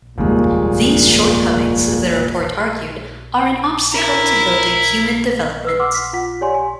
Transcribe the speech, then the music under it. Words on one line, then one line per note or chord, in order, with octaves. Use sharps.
These shortcomings, the Report argued, are an obstacle to building human development.
F1 D#2 A#2 G3 G#3 A#3
E4 A#4
B4 E6 C7
F#5 C6 D6 F6
B6
F4 F#5 B6
G4 C#5 D5 G#5 C6
G#5